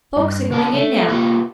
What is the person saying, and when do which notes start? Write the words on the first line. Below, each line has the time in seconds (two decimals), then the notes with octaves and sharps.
Folks are going in now.
0.17 G2
0.50 C#3 A#4 A5
0.74 A3
1.08 A#3 F4 G4 B4